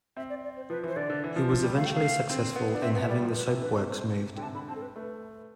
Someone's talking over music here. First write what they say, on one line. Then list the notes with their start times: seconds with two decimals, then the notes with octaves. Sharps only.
He was eventually successful in having the soap works moved.
0.17 C4 E5
0.30 D5
0.44 D5
0.57 C5
0.70 F3 B4
0.84 E3 C5
0.96 D3 D5
1.10 D3
1.24 E3
1.36 F3
1.49 F3
1.62 G3
1.76 A3 F5
1.86 G5
1.95 F5
2.30 C4
2.56 B3
2.75 D4
2.82 C4 E5
2.95 B3 E5
3.09 G3 D5
3.23 F3
3.35 B4
3.48 C3
3.57 E3
3.62 D3 B4
3.76 C3
3.88 C5
4.36 D3 G5
4.42 C3 A5
4.55 D3 B5
4.68 C4 A5
4.75 A4
4.82 B4
4.95 A3 B4